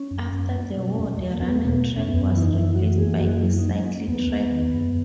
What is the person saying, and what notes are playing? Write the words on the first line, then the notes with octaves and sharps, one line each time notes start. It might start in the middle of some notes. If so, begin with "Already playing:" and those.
After the war the running track was replaced by a cycle track.
Already playing: C#4
F#2
F#2
A#3
B2
E2
E2
A#3
E2 B3
B2 B3
E2
C#4
F#2 B3
E3 B3
E4
D#4
F#2
E4
E3 F#4
A#3 G#4
F#2 F#4
F#3 E4
D#4
F#3
C#4
A#3
E2 B3
E2
D#3
F#2